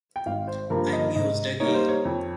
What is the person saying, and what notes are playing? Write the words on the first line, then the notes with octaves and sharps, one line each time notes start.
I mused again.
G5
G#1 F5
C5
G2 F3 A#3 A#4
D#5
G#2 D#5
G3 A#3 D#4 C#5
C5
C#5
F2